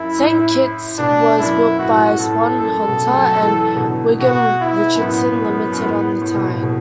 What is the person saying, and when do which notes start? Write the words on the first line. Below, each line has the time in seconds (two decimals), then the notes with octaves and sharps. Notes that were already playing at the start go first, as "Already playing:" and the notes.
"Saint Kitts" was built by Swan Hunter and Wigham Richardson Limited on the Tyne.
Already playing: F#2 E4
0.18 A2
0.99 B2 D4
1.39 F#2 E4
1.79 A2 F#4
2.19 A2 A4
2.60 F#2 A4
2.87 B2
3.08 A3
3.13 F#3
3.41 E3
3.76 B2
3.80 D3
4.20 B2 F#4
4.61 E4
4.94 F#2
5.01 A2 B3
5.42 F#2
5.72 F#2
5.82 A2
6.22 A2
6.34 B2
6.47 A2
6.63 B2